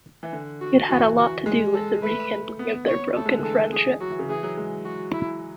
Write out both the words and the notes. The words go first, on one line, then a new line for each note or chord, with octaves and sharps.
It had a lot to do with the rekindling of their broken friendship.
E3
D3
F#4
E3 F#4
F#4
G#3
A4
A3 B4
B3
C#5
A3 A4
G#3
D3
E3 A4
G#4
F#3 F#4
E3
C#3
E3 G#4
F#3
G#3
F#4
E4